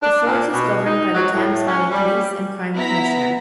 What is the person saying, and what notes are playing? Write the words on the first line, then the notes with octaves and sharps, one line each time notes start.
The force is governed by the Thames Valley Police and Crime Commissioner.
D4
A#2
B2
D#4
F#3
A2
C#4
G3
B3 E4 A#5 B6